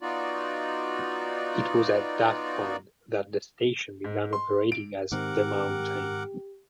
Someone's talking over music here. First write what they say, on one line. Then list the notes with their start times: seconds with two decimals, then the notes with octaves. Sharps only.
It was at that point that the station began operating as The Mountain.
0.01 B3 D#4 F4 F#4 D5
4.04 G#2
4.33 C6
4.72 D7
5.12 G#2 D#3 C4 G4 A#4 F#5 D6